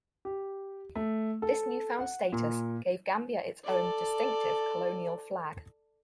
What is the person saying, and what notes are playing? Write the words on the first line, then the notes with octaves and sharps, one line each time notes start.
This newfound status gave the Gambia its own "distinctive" colonial flag.
G4
A3
A4
F#5
A#2
A4 D5